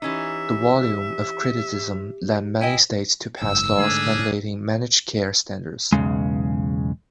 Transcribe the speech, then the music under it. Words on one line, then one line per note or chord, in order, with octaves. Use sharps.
The volume of criticism led many states to pass laws mandating managed-care standards.
E3 C#4 D#4 G4 E5
E4 D#5 G5 G#5
F#1 G#2 E6
G#2 D3 A3 C#4 D4 G#4
B1 E2 G#2 C#3 G#3